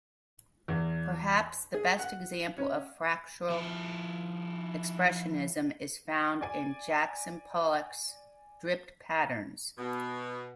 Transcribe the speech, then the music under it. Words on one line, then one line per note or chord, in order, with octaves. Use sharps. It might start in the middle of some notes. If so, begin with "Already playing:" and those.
Perhaps the best example of fractal expressionism is found in Jackson Pollock's dripped patterns.
E2
G#4
F#5
C#4
F3 E4
D5 G#5
B2